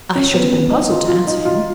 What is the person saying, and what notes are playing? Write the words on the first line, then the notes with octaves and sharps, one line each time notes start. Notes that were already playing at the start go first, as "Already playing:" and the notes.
I should have been puzzled to answer him.
C#4
B3
B3
D#4
F4
F4
D#4
F4